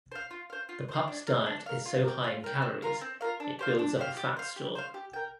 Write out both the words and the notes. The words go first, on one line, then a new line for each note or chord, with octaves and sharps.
The pup's diet is so high in calories, it builds up a fat store.
C5 F5
F4
C5 F5
F4
C5 F5
D4
A#4 F5
D4
A#4 F5
F4
A#4 G5
F4
A#4 G5
C4
F4 A#4 F5
C4
F4 A#4 F5
D4
G4 C5 F5
D4
G4 C5 F5
G4
C5 F5
G4
C5 F5
G4
A#4 G5